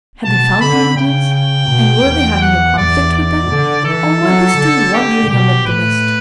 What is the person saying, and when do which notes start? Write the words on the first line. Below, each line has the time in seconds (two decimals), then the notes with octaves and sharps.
Had they found the Indians, and were they having a conflict with them, or were they still wandering amid the mist?
0.25 B2 A5
0.61 D3 B5
0.97 C#3 G5
1.33 G5
1.69 B2
2.05 E2
2.42 F#5
2.78 E2 D5
3.14 D5
3.50 D3
3.85 E3 A4
4.22 F#3
4.58 D3
4.94 G4
5.30 B2 G4
5.66 A2 B4